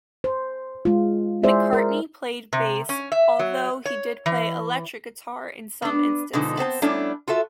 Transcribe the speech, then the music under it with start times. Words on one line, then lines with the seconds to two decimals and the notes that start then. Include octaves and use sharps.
McCartney played bass although he did play electric guitar in some instances.
0.24 C5
0.85 G#3 F4
1.43 G#3 E4 G#4 C5 D5 E5
1.73 A#4
2.53 C3
2.89 C#4
3.12 E5
3.39 F#3
3.86 C#5
4.26 E3
5.82 B3 D4
6.33 B2 D3 F3 G#3 D#4
6.57 B3 C4 C5 A5
6.82 G3 A3 B3 C#4 D4 E4
7.28 F4 F#4 A4 E5